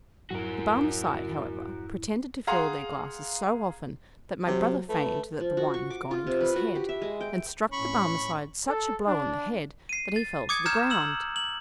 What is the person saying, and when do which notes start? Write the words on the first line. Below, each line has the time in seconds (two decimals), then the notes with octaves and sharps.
The Barmecide, however, pretended to fill their glasses so often, that my brother feigned that the wine had gone into his head, and struck the Barmecide such a blow on the head, that he fell to the ground.
0.31 F2 G#2 F#3 E4 F#4 A#4
2.47 G#4 F5 F#5 A#5 C6
4.47 C3 F#3
4.89 A3 B4
5.40 F3
5.57 F#4
5.74 C#6
5.90 D6
6.11 F4
6.27 C3
6.41 B4
6.56 F#4
6.75 G4
6.89 E5
7.02 G#3
7.21 G5
7.72 A2 C#4 B5 C#6
8.68 A4
9.08 D4
9.89 C7 D#7
10.16 A6
10.49 D6 D#6 G#6 C#7
10.66 A#5 F6 G6 G#6 C#7 E7
10.90 E6 E7 F#7
11.36 F#7